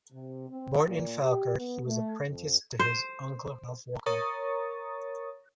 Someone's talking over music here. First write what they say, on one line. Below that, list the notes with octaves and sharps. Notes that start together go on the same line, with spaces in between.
Born in Falkirk, he was apprenticed to his uncle Ralph Walker.
C3
C4
A#2
G4
B3
A3
F2
C5
A#4 C#5 A#5 C#6 D#6 A6